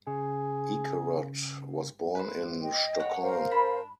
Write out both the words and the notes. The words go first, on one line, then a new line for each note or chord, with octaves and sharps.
Ekerot was born in Stockholm.
C#3 G#4
B4 C5
D#5 G5
C#5 F#5
A#4 C5 F5
D4 B5